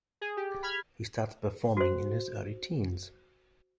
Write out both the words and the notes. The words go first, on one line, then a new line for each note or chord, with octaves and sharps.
He started performing in his early teens.
G#4
G4
B5 F6 G#6
F#4 C5